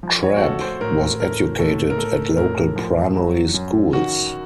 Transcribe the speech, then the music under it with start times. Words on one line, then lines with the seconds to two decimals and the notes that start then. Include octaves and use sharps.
Crabb was educated at local primary schools.
0.03 F3
0.23 C#5
0.36 F#4
0.42 A3 A4
0.61 C5
0.81 A2 A#4
1.20 A3 A#4
1.59 A2 A4
1.90 A#4
1.98 A3 A4
2.37 A2 A#4
2.76 F3
3.15 F#3
3.54 F#2
3.93 D#3 F#4